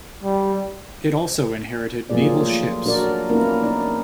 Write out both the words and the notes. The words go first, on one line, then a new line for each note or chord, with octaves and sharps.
It also inherited naval ships.
G3
F3 F#3 A#3 F4 G#4 D5
A3 F4
F#3 D4 F#4 A#4 D5
A#3 B3 C#4 D#4 E4 A#4
D4 D#4 D5